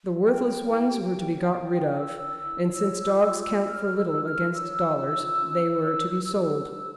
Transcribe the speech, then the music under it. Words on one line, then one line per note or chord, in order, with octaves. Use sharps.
The worthless ones were to be got rid of, and, since dogs count for little against dollars, they were to be sold.
E4 G5
C#5
E4
G4
G4
C#5
E4
E4
A#4 E6
E4
E4
C#5
F4
F4
F4
C#5
C#5 F6
A4
E6
F4
F6
F4
C#5 E6
F4
C#5
F4
C#4
A#4
C#5
F4
G4 E6
D4
G4